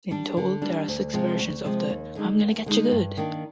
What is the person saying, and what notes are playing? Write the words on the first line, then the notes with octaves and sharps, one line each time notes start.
In total there are six versions of the I'm Gonna Getcha Good!
G3 D4
D3
G3 D4
D2
C3 F3 G#3
D2
C3 F3 G#3
D#2
D3 G#3 D#4
D#2
D3 G#3 D#4
G2
D#3 A#3 D4